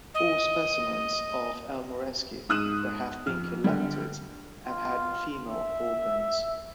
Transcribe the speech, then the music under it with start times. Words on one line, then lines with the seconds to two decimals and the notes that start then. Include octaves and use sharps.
All specimens of "L. maerski" that have been collected have had female organs.
0.14 D#5
2.49 G#2 D#6 F#6 D#7 E7
3.26 F2 F6
3.64 D3 G3
4.65 F4
5.47 E5